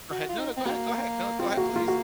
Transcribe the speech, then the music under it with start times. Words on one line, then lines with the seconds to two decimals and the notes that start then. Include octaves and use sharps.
go ahead. No, no, go ahead, go ahead. No, go ahead, please.
0.11 F#4
0.29 F4
0.38 D#4
0.57 C4
0.66 A#3 F#4
1.39 C4 F4
1.57 A#3 F#4
1.76 F4
1.88 F#4